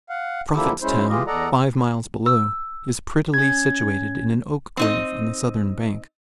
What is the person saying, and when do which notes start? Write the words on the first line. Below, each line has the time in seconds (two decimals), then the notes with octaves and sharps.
Prophetstown, five miles below, is prettily situated in an oak grove on the southern bank.
0.10 F5 F#5
0.55 D3 F3 A#3 E4 G4 A4
0.82 F#2 G#3 C#4 E4 C5
1.09 E3 G#3 F4 G4 D#5
1.27 E2 A4 D5 D#5 F#5 A#5
2.26 E6
3.34 C#4 G#6
4.77 C4 D#4 D#5